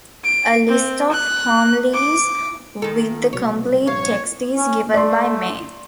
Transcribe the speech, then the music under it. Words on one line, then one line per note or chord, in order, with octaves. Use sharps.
A list of homilies with the complete text is given by Mai.
D7
C4
F#6
D6
D#3 A4
C2 B2 F#3 C#5
A#1 G2 C3 C#5 F5
C#4
A3 D5 C6